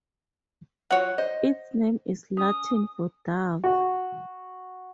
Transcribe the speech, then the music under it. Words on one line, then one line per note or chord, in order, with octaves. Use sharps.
Its name is Latin for dove.
F#3 F4 F#4 C#5 F#5
C5 D#5
C#4 D#6
F#4